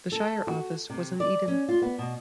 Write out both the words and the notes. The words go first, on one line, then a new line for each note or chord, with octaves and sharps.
The shire office was in Eden.
A4
F#4
C3
D5
C#4
F4
B3
B2